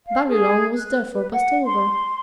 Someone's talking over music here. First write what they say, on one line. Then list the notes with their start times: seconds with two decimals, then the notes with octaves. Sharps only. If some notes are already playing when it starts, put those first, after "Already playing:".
Barillon was therefore passed over.
0.04 F5
0.29 G#4
0.77 F#6
1.12 B4
1.32 F#5
1.63 C6